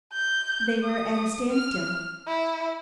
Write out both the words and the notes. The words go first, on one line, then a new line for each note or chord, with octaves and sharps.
They were at a standstill.
G6
D#6
F6
E4